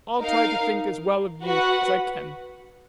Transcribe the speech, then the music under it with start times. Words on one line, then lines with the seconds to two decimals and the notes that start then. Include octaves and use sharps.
I'll try to think as well of you as I can.
0.20 D#4 A#4 F5
1.43 F#4 B4 F#5